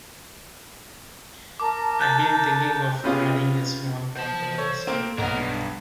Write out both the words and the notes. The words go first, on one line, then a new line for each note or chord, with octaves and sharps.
I'd been thinking of adding a small pond to the estate.
A#4 A5 D6
F#6 G6 A6
C3 B3 C#4 F4 G#4
C5 A5
A4 C#5
A3 A#3 C4
B1 A#2 B3 A#4
G2